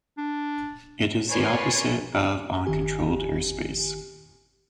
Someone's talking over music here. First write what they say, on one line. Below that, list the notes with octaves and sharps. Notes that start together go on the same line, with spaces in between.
It is the opposite of uncontrolled airspace.
D4
A#4 B4 C#5 D5 G#5 C6
G1 D#3 G4 G#5